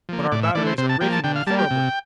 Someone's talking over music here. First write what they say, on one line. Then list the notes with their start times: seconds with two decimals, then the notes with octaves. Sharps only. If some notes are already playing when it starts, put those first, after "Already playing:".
But our batteries are raking them horribly.
0.09 F3 A#3
0.32 A2 D5
0.43 E5
0.55 E3 A3 D5
0.67 C5
0.78 C3 C5
0.89 A5
1.01 F3 A#3 G5
1.12 A5
1.24 D3 G5
1.36 F5
1.47 G3 A#3 A5
1.59 G5
1.70 C3